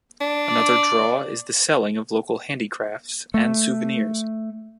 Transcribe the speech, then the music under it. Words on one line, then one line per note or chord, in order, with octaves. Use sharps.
Another draw is the selling of local handicrafts and souvenirs.
D4
D5
A3